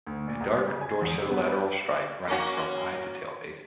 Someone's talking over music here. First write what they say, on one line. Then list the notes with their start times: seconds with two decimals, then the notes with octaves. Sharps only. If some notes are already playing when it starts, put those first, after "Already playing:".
A dark dorso-lateral stripe running from eye to tail base.
0.07 D2
0.27 A#2
0.40 C#2
0.53 G3
0.68 C#3
0.81 G#5
1.01 E2
1.19 C3
1.30 B3
1.47 B4
2.28 A#3 C#4 F#4